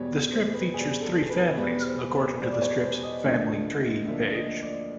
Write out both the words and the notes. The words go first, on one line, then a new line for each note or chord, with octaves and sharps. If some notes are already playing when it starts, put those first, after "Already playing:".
The strip features three families, according to the strip's "Family Tree" page.
Already playing: E2 B2 G3 C#5
C5
B4
E2 B2 G3 G#4
A4
B4
E2 B2 G3 B4
C5
C5
E2 B2 G3 C5
D5
C#5
C5
D#5
D2 D3 F3 A#3
D2 D3 F3 A#3 E5
D#5
D5